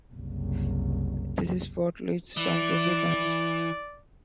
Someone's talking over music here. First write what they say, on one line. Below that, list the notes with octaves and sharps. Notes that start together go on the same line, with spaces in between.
This is what leads Tom to be banished.
F#1 C2
E3 D5